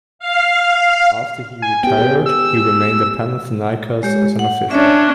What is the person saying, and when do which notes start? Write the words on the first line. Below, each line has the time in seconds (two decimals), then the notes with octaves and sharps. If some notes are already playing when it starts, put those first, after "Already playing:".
After he retired, he remained in Panathinaikos as an official.
0.19 F5
1.62 G#5
1.84 B3 G4 G5
1.99 G#4
2.26 E6
4.03 G#3 G4 C#5
4.39 F#5
4.71 C#4 D4 C#5 E5